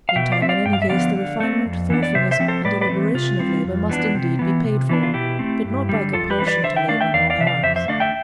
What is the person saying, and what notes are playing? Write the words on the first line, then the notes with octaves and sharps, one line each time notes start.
Meantime, in any case, the refinement, thoughtfulness, and deliberation of labour must indeed be paid for, but not by compulsion to labour long hours.
F5
B2 E5 G5
D5 F5
A3 C4 E5
D5 F5
G2 G5
F5
E5
D3 F3 B3 D5 F5
D3
A3 C4
F2
E3 B3 D4
D5
C3 C5 E5
C5 E5
F3 A3 C4
A4 C5
A2 B4 D5
B4 D5
E3 A3 C4
C3 F4
G3 C4
F2
E3 B3 D4
C3
E3 B3
C3
E3 B3 D4
F4
B2 E4 G4
A3 C4
G2
D3 G3
F2 F4 A4
G4 B4
E3 G3 C4
B4 D5
D3 C5 E5
E5 G5
A3 D4 D5 F5
E5 G5
E2 D5 F5
D5 F5
C3 E3 E5
D5 F5
F2 C5 E5
C5 E5
D3 A3 D4 D5 F5
E5 G5